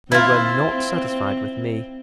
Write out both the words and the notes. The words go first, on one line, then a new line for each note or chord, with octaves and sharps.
They were not satisfied with me.
C4 E4 F4